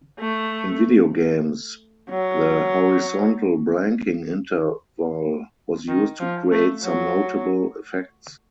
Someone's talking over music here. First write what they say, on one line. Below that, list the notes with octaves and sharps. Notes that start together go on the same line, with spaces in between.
In video games, the horizontal blanking interval was used to create some notable effects.
A3
F#3
D#3
F3
A3
F#3